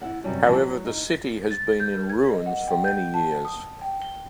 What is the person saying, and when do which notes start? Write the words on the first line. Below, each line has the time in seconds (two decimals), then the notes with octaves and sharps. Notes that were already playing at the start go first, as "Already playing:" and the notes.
However, the city has been in ruins for many years.
0.01 E4 F#5
0.24 F#2 C3 F#3 G3 C#4
0.46 E3 F3 G3 C#4 B4
0.60 F#3
0.84 D#4
1.51 A6
1.80 G6
1.94 A#4
2.10 G#6
2.32 D#5
2.46 F#5
2.68 G5
2.84 G6
3.14 A5
3.45 D#6
3.81 G5
4.02 G7